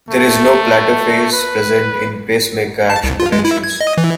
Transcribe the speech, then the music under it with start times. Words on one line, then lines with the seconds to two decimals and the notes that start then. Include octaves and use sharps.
There is no plateau phase present in pacemaker action potentials.
0.10 A3
1.33 B4
2.90 A5
3.04 C2
3.20 F4
3.32 G#3
3.45 E4
3.64 G#6
3.81 D#5
3.98 E3